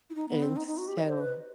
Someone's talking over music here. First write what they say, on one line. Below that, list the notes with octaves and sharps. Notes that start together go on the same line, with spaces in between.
and so
E4
D#4
B3
C4
D#4
D#4
F#4
G4
D#5
C5
B4